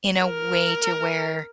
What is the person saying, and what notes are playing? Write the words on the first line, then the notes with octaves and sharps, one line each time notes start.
in a way to where
A#4